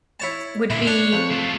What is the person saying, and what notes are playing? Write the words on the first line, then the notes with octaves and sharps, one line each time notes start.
would be
E4 C#5 A5
A#2 D3 E4
D4 C#5
F2
A3 F4